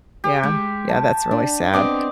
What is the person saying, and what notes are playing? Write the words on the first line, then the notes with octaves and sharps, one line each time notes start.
Yeah. Yeah, that's really sad,
G4
G#3
A5
D4
B3 C4 D4 D#5 D6